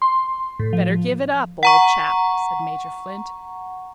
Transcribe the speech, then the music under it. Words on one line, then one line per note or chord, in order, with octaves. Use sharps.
"Better give it up, old chap," said Major Flint.
C6
A2
F3
F#5 A#5 C#6